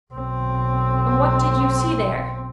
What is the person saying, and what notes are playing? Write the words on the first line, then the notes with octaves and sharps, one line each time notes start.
'And what did you see there?'
B1 C4